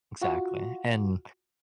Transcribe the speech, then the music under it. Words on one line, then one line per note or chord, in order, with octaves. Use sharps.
Exactly, and,
F4 F#4